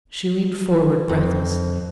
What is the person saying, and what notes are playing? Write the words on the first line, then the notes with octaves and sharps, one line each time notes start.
She leaned forward breathlessly.
F2